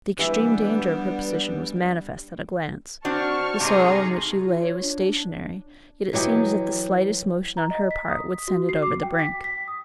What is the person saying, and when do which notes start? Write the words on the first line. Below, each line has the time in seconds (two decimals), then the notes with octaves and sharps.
The extreme danger of her position was manifest at a glance; the soil on which she lay was stationary, yet it seemed as if the slightest motion on her part would send it over the brink.
0.19 E3 G3 B3 D4 E5
3.05 C4 D4 F#4 A5 C#6 F6
3.60 G#2 C3 D#4 G#4
4.44 F4
4.61 C#5
4.82 D4
5.06 D4
6.13 E3 F#3 G4 D#5
7.57 A#5
7.71 D#5
7.91 B6
8.09 D#6
8.48 F#4
8.69 C7
8.82 D6
9.03 G5
9.19 B6
9.44 B6
9.68 D#6